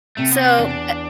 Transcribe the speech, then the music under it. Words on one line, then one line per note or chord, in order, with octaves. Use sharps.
So, eh
C3 A3
B3
C4
E2 D4